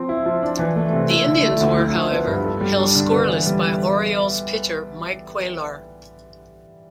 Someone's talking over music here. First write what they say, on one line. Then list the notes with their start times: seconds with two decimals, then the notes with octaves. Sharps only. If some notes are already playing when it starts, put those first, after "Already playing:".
The Indians were, however, held scoreless by Orioles pitcher Mike Cuellar.
Already playing: F3 C4
0.09 E4
0.26 F3
0.42 D4
0.59 E3
0.76 A3
0.93 C3
1.10 E4
1.27 D3
1.43 A3
1.60 D2
1.78 E4
1.94 F3
2.11 B3
2.27 G2
2.44 A4
2.61 G3
2.78 D4
2.95 D3
3.11 B3
3.29 E3
3.46 G3